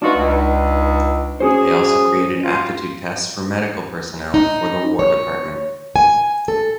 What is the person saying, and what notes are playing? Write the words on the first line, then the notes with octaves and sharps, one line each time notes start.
They also created aptitude tests for medical personnel for the War Department.
A3 D4 D#4 F4 F#4 B4
C#2
C#4 F#4 G#4 C5
F4
D#4
C#5
G#5
A4